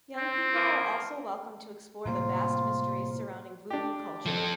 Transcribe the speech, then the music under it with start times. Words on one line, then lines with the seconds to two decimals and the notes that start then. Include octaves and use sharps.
Young people are also welcome to explore the vast mysteries surrounding Voodoo culture.
0.17 C4
0.55 E3 F3 A#3
2.05 A2 C3 G3 A#3 F4 C5
3.70 D4 G4
4.26 F3 A4